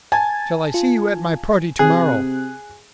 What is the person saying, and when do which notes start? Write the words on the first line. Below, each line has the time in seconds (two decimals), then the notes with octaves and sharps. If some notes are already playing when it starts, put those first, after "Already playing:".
"Shall I see you at my party tomorrow?"
0.12 G#5 A5 G#6 A6
0.74 F4
1.79 C3 G#4 F#6